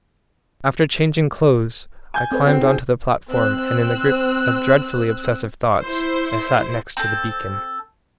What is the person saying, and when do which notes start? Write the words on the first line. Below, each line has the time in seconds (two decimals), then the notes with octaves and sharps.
After changing clothes, I climbed onto the platform, and in the grip of dreadfully obsessive thoughts, I sat next to the beacon.
2.14 G#5 G6
2.32 C4 A4 B4
2.47 C4 F#4
2.62 D#4 G#4
3.30 C4 E6 F#6
5.81 E4 C5
6.97 C4 A4